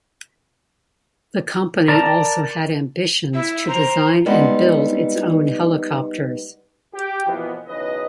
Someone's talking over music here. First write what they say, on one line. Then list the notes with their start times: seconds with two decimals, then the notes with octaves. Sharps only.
The company also had ambitions to design and build its own helicopters.
1.88 A#4 D5 A5 A#5
3.34 E4 E5
3.68 C5 A#5
4.26 G3 G#3 B3 C4 D#4
6.95 G4
7.27 B2 E3 F3 A#3 B3
7.67 B1 E2 C#3 B4 D#5